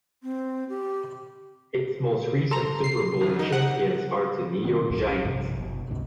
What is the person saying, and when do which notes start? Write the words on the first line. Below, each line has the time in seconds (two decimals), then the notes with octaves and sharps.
Its most recent Super Bowl champions are the New York Giants.
0.23 C4
0.69 G4
2.51 A4 A#5 C6
2.84 C7
3.21 F2 D#3 F3
3.36 D3 D#4
3.52 F#5
4.64 C3 D#3 B3 C4
4.90 A#1 D#2 G#2
5.08 C#4
5.24 A#1 G2 C3 F3
5.57 F#1 B2
5.89 A1 D2 G#2 C3